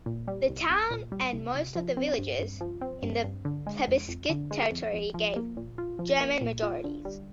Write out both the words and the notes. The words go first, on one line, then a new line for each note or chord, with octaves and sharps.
The towns and most of the villages in the plebiscite territory gave German majorities.
A#2
G3
C2
C2
A#2
G3
C2
C2
F3
C4
G2
G2
F3
C4
G2
G2
D3
G#3
F2
F2
D3
G#3
F2
F2
F3
A#3
A#2
F4
F3
A#3
A#2
F4
D3
G3